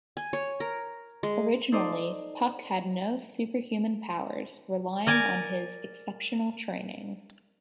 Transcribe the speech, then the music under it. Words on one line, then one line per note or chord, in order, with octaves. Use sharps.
Originally, Puck had no superhuman powers, relying on his exceptional training.
G#5
C#5
A#4
G#3
D#4 A4 C5 D5 D#5
A#4 D5 G#5